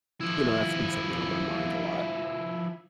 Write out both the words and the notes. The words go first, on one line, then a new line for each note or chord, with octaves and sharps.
you know, that's been something on my mind a lot.
F3 E4